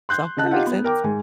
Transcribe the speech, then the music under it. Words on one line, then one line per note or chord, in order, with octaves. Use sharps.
So, that makes sense.
C6 F#6 G6
C#3 D#5 A5 F#6
D#4 F4 G4 F#5
B3
A#4 G5 D6
G#2 G#5